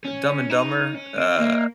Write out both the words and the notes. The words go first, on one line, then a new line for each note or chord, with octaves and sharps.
Dumb and Dumber? Uh
C#4
D#4
C#4
C4
A#3